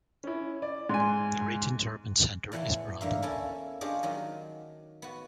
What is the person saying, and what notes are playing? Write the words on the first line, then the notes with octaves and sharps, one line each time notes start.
The region's urban centre is Brandon.
C#4 E4
D5
G#2 G#5 C6
E2 A2 E3 F#5 G#5 C6
E2 D3 A#4 E5 F5
A#3 C#4 E4 A4 G#5
D4 F4 G4 G#4 C#5 D#5
D#3 F#3 D#5
B3 F#4